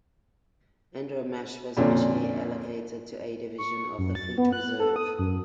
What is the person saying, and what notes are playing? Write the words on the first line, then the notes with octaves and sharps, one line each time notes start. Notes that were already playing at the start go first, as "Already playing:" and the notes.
"Andromache" was initially allocated to A Division of the Fleet Reserve.
F2 A#2 D3 C#4
C#6
F#2
A6
B3
F#6
A4
D#6
F#2